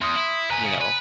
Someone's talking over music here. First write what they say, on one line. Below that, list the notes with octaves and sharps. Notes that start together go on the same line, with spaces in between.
you know
E2 C6 D#6
E4
D2 B4 G#5 A#5
C#3
B4